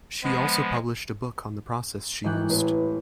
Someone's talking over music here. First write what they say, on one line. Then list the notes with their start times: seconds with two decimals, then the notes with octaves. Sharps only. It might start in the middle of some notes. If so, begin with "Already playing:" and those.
She also published a book on the process she used.
0.24 F3 G#3 B3
2.24 G#1 E3 G5 F#6
2.50 A1 C4 B4